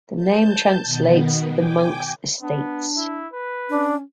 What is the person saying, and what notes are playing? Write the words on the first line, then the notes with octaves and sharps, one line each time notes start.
The name translates "the monks' estates".
A5 G6
B2 D#3 B3
G5 G#5 D6
B3 D4
E4
B4
C#4 D4